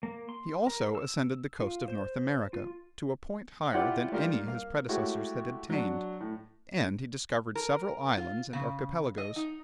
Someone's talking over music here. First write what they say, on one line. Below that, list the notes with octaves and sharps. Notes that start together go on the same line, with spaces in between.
He also ascended the coast of North America to a point higher than any his predecessors had attained, and he discovered several islands and archipelagos.
A#3
C6
A#4
E6
F4
C5
F4
E4 F4 G4 D5 F#5
G3 A#3 D#4 F4 A#4
A#3 F5
G#3 A3 E4 F#4 G4 C#5
F#3 D4
A2
A#4
F4
C#3
D#5
D#4